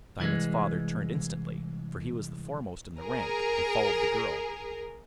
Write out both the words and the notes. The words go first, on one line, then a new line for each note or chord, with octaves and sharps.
Diamond's father turned instantly, for he was the foremost in the rank, and followed the girl.
C2 E3 G#3
G#4 A#4